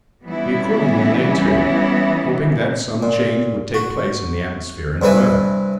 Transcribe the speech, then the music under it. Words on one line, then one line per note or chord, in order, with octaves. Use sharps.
We accordingly lay to, hoping that some change would take place in the atmosphere and weather.
E3 G3 B3 C#4 E4
A#2
F#4
G2 C3 E4 B4 G#5